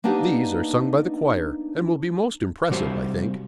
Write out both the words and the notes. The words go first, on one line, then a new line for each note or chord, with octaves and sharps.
These are sung by the choir, and will be most impressive, I think.
A#3 B3 D4 D#4 G4
C3 G3 F#4 C5 E5